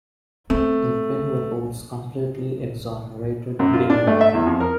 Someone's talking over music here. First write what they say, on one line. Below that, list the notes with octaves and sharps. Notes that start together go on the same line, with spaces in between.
The twin reports completely exonerated Dingwall.
A3 C4
F#2
F4
D4
A3
E5
E2
F2
A#4